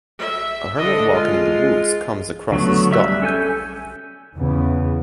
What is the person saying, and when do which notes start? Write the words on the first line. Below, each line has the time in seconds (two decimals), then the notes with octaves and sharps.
A hermit walking in the woods comes across his dog.
0.19 E5
0.78 D3 D#5
1.13 G#3 F4
2.52 D3 F#3 A3 B3
2.91 G3 E5 E6 F#6
3.22 C#4 A4 G#5 G6
4.35 E2 C#3 B3